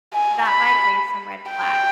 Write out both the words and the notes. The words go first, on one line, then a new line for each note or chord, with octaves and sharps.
that might raise some red flags.
G#5
B5
G5